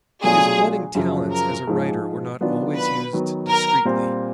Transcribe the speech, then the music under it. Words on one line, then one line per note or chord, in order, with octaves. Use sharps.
His budding talents as a writer were not always used discreetly.
B2 F#3 A3 D4 F4 G#4
F#2 C#3 F3
A#4
G#2 F3 G#3
D#3 F#3 B3 D4 F4
B4
D#3 F#3 B3
A#4
A#2 G3 C4 F4